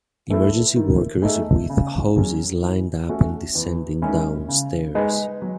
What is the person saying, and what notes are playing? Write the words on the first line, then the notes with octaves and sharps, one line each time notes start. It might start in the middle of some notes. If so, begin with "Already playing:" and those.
Emergency workers with hoses lined up and descending down stairs.
E3 A3 E4 A4
D#3
A3 D#4 G#4
C#3
F#3 C#4 G#4
E3
A3 C#4 F#4
E2
D#3 G#3 C#4 E4
C#3
G#3 D#4 G#4 B4
F#3